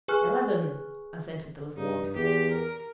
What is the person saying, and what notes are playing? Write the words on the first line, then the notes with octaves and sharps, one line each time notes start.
"Eleben!" assented the little ones.
G#4 B4 G#5 C#6 F6 F#6
G2 D#4
E2 G4
A#4